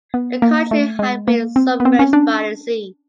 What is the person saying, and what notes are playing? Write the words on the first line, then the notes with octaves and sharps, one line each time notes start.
The country had been submerged by the sea.
B3
A#3
A3
G#3
A#3
C4
B3
C4
C#4
D4